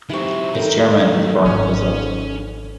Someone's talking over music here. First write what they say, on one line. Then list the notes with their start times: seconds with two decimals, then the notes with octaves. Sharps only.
Its chairman is Bernd Posselt.
0.10 E3 F#3 C4 D#4 E4 G4 C#6
0.55 D#3 A4 C#5
1.45 G#1 C#4